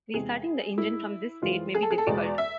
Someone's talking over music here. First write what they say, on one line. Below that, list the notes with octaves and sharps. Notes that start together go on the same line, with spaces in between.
Restarting the engine from this state may be difficult.
E2 C3 G#3 G#4
G#2 G#3 E4
F2 E3 G#3 F4
G#4
A4
G#4
A4
E2 B2 G#3 D5
E5